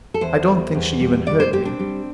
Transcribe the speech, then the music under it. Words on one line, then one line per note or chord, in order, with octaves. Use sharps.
I don't think she even heard me.
A4
E2 C5
G3
E2
G3
G3 D5
C5
C4 G4
D4
G3